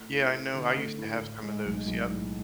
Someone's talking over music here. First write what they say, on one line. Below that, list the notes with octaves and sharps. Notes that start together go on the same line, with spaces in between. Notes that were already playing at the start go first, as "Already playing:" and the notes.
Yeah, I know, I used to have some of those, yup.
Already playing: A3
E4
A4
D3
A3
E4
A2
G#3
B1
B1
A2